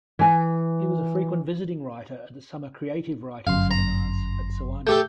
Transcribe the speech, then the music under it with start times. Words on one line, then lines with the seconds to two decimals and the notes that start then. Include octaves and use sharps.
He was a frequent visiting writer at the summer creative writing seminars at Sewanee.
0.19 E3 G#5
3.47 G1 F#2 F5 C6
3.71 A#5
4.87 A3 G4 A4 G6